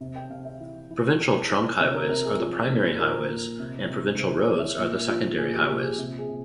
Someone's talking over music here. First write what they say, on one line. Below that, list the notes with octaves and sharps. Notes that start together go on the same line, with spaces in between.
Provincial Trunk Highways are the primary highways, and Provincial Roads are the secondary highways.
C3
G5
C3 F5
E5
E3
E3
E3
E3
C3 C#5
A#4
C3 A#4
G#4
F3
A#2
A#2 A#4
A#2
C3
C3
C3 C5
C#5
E3
E5
A#2 E5
F3
A#2 G#4
G4
A#2 G4
G#4
C3
G#4
C3